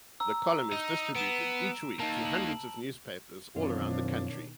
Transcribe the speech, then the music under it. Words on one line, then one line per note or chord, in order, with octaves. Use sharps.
The column is distributed each week to hundreds of newspapers all over the country.
A#5 E6
D#4
B3 D7 E7
A#3 D#4 A5
F#7
F#2 B2 D#3 E3 C4 D4 F4 C#5